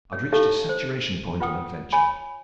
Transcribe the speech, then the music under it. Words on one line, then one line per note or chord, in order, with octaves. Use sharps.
I'd reached a saturation point on adventure.
C#5
D#4 E4 G4 A4 C#5 F5
C5
F4 B4 F#5 G5 D#6
C#5 G#5 B5